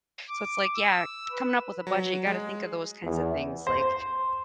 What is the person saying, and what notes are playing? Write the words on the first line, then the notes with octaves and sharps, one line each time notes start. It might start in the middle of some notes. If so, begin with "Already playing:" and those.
So it's like, yeah, coming up with a budget, you gotta think of those kinds of things, like,
D6
E6
B4
F#3
G#3
E2
C5